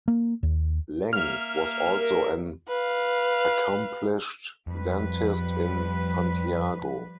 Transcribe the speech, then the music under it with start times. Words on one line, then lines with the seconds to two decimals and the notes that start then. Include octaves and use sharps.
Leng was also an accomplished dentist in Santiago.
0.08 A#3
0.43 D#2
1.13 A#3 E5 F6
1.97 A#4
2.68 B4 F5
4.67 F2 F3 G3 B4